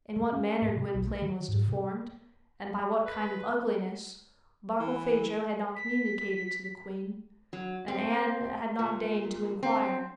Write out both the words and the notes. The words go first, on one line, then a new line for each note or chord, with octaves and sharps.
In what manner Gwynplaine was deformed, and by what kind of ugliness, Barkilphedro had not communicated to the queen, and Anne had not deigned to inquire.
G#3
C#4
A2
C3
B1
A3
D#3
G#2
C3
B4
E3
B6
F#3
C4
A#2
C4